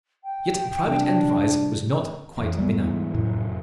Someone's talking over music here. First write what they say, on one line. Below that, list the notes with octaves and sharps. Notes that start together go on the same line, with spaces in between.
Yet private enterprise was not quite benumbed.
G5
C3 F3 G3 D4
F2 E3 A#3
F#2 G3 B3
D2 G#2 E3
F1 F#2 A2